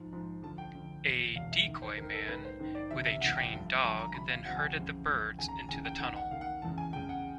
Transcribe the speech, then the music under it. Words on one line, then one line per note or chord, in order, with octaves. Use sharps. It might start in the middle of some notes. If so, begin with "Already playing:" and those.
A "decoyman" with a trained dog then herded the birds into the tunnel.
Already playing: G#2 F3
G#2 F3
D2 D3 F3 A5
G5
D2 D3 F3
E2 B2
E2 B2 F5
E5
D#2 D#3
C5
D#2 D#3 A#4
A4
G#2 D#3 B4
C5
G#2 D#3
D5
D2 C3 E3 E5
E5
D2 C3 E3 F#5
G5
G2 D3 F3
G2 D3 F3 G#5
A#5
D2 C3 F3 B5
F5
D2 C3 F3 F#5
G#5
G5
F2 C#3 E3
F2 C#3 E3
D#2 C#3 E3 G#5
A#5
A5
D#2 C#3 E3 G#5
G5
D#2 D#3 F#5
F#5
D#2 D#3 F5
F#5
E2 C#3 E3 A5
G#5
E2 C#3 E3 G5
F#5